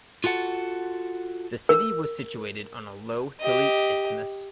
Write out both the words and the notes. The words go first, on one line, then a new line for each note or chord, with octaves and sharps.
The city was situated on a low hilly isthmus.
F4 F#4 A4 F#5
A#4
G4 D#5